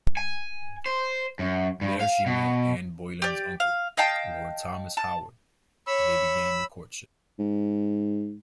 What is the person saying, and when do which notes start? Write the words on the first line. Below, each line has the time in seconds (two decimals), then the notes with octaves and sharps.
There she met Anne Boleyn's uncle, Lord Thomas Howard, and they began their courtship.
0.17 G#5
0.86 C5
1.39 F#2
1.81 G2
2.01 F5
2.26 B2
3.22 G4 D5
3.60 F5
3.97 D#5 F5 G5 A5
4.97 A5
5.87 C#5 B5 E6
7.39 G#2